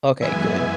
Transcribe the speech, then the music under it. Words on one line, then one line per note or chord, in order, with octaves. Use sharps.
Okay, good.
F#2 E3 G#3 B3 E5 G#5